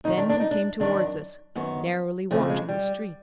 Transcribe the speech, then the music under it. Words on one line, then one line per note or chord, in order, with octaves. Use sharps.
Then he came towards us, narrowly watching the stream.
F#2 D#3 D#4
D4
D4
D#4
D4
F#2 D#3 D4
F#2 D#3 B3
F2 C#3 F3 A3
G#3
G3